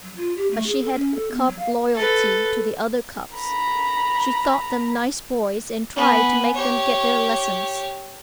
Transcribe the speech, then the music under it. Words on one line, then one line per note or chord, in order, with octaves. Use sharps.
But she had a cub loyalty to the other cubs. She thought them nice boys and tried to make them get their lessons.
F#3
F4
G4
A3
G#4
A4
C#4
A4
B3
F#3
F5
A4 B4
A#5 B5
B3 G#5
G4 C#5